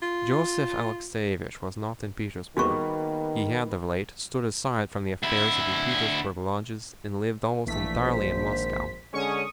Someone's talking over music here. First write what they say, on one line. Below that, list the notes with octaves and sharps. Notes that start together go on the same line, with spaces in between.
Joseph Alexeevich was not in Petersburg--he had of late stood aside from the affairs of the Petersburg lodges, and lived almost entirely in Moscow.
F4
D#3 G3 A#3 B3 F#4 G#4 C#6
D2 E4
A#1 E3 A3 B6
G#1 C5
D3 G#3 C#4 C#6 D#6